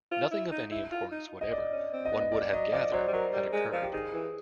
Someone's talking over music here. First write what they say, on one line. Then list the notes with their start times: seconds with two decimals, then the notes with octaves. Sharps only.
Nothing of any importance whatever, one would have gathered, had occurred.
0.12 F4
0.31 E4
0.52 D#4
0.72 E4
0.92 F4
1.12 D#4
1.41 D#5
1.52 C#4 D5
1.72 C#4
1.93 C4
2.05 D#5
2.12 B3
2.21 D#5
2.32 A#3 D5
2.53 F#3 D#5
2.72 F3 D5
2.92 F#3 C5
3.08 G3
3.13 F#3 A#4
3.33 G3
3.53 G#3
3.73 F3
3.82 G4
3.93 D#3 G#4
4.13 E3